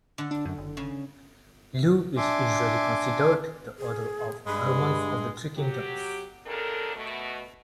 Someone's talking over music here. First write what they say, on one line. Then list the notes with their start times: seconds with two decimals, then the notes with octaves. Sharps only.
Luo is usually considered the author of "Romance of the Three Kingdoms".
0.18 D3
0.31 D4
0.45 F#2
0.58 F#1
0.77 C#3
2.17 D4 E5 G#5 C6 D6
3.78 G#4
4.46 G2 G#3 B5
5.56 F#3 G4
6.46 D#2 C#3 D4 A4 A#4
6.95 B2 A3